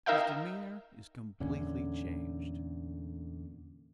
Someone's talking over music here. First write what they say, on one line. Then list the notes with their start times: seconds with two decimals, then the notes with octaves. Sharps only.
His demeanour is completely changed.
0.06 D#4 A#4 E5 F5 G5
1.40 E2 A#2 D3 C#4